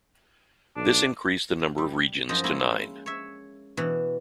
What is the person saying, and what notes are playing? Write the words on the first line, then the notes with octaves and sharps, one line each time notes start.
This increased the number of regions to nine.
B1 D4
G3
F#2 F3 D#4 C5 D#5
G#3 A#3 C#4 E4 F4
C#5 E5
B2 E3 D4